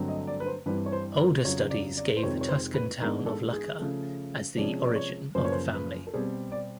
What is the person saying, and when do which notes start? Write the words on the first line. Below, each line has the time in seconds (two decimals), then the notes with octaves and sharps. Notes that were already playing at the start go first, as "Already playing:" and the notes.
Older studies gave the Tuscan town of Lucca as the origin of the family.
Already playing: G2 D3 F#3 A3 C4
0.08 D#5
0.27 D5
0.40 B4
0.46 C5
0.66 G2 E3 G3 C4 B4
0.86 C#5
0.92 C5
1.19 A#4
1.45 F2 C#3 F#3 C#5
1.70 D5
1.97 D5
2.17 C5
2.23 F2 C3 D#3 G#3 C4 C#5
2.41 C#5
2.49 C5
2.74 B4
3.01 G#2 E3 G#3 B3 D4 A#4
3.26 A4
3.53 G#4
3.79 C#3 F3 A3
4.57 C3 F3 G#3 C#4 D5
4.86 D5
4.96 C#5
5.35 F#2 C#3 F3 A#3 C5
5.44 C#5
5.52 C5
5.75 B4
6.07 A4
6.14 B2 G3 C4 G#4
6.52 D5